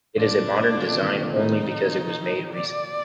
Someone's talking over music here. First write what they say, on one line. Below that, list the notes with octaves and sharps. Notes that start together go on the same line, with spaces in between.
It is a modern design only because it was made recently.
A#2 D4
A#2
A#2 D3
C3 D#3
D#3
A#2 D3
C3 D#3 D#4
D5